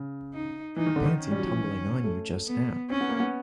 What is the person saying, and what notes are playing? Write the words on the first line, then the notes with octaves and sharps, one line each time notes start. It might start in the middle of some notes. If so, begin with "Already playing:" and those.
Fancy tumbling on you just now!
Already playing: C#3
D#4
E3 D#4
D#3
D3
D#3
C#4
G3
F#3
F3
E3
D#3
A3
B3
C4 C#4
B3
A#3
B3